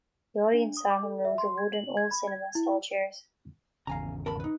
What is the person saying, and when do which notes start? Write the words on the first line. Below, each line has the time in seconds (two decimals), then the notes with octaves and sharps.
The audience sat on rows of wooden old cinema-style chairs.
0.54 D4
0.77 D#6
0.90 D6
1.03 A4
1.25 E5
1.38 C6
1.58 G#6
1.73 F#7
1.97 G#6
2.11 B5
2.28 G#6
2.55 E4
3.87 G#1 E2 C#3 F5 G#5 A#5
4.26 A#4 A5 B5
4.40 D#4 B4